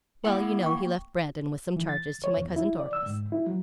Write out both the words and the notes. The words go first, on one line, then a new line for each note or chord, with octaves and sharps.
Well, you know he left Brandon with some charges to my Cousin Dorcas.
A#3 E4 F#5
G5 C#6
E3
A6
C#5
E2
E4
D5
E6
G#2
E4
F#3